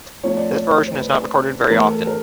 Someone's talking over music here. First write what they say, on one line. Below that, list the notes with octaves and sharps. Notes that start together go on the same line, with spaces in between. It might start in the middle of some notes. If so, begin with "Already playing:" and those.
This version is not recorded very often.
F3 A3 C4 F4 C#5
D5
C#5
C5
B4
A2 E3 A3 A#4
A4
A#4